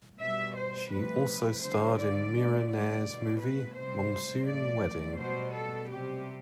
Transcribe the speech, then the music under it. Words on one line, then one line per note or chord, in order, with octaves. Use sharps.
She also starred in Mira Nair's movie "Monsoon Wedding".
B2 G3 E5
C5
C3 F3 A3 B4
D3 G3 C5
D5
D3 A3
D5
B2 A3
B4
C3 G3 C5
A2 F3 A3 D5
B2 G3 C5
A4
C3 G3 G4